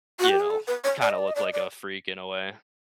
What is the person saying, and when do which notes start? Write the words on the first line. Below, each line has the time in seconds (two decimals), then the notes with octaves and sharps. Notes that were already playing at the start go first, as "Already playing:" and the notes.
you know, kinda look like a freak, in a way.
0.19 F#4
0.29 G4
0.40 G#4
0.50 A4
0.68 B4
0.84 C#5
1.02 D5
1.10 D#5
1.18 D5
1.28 D#5
1.36 D5
1.44 D#5
1.53 D5